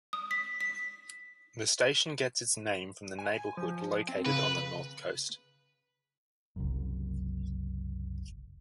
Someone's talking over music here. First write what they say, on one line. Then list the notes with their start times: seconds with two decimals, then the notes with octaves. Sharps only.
The station gets its name from the neighborhood located on the north coast.
0.13 D#6
0.31 B6
0.61 B6
3.19 G#5
3.57 F3
4.08 C4
4.26 C#3 B4
6.56 F#1 C2 F#2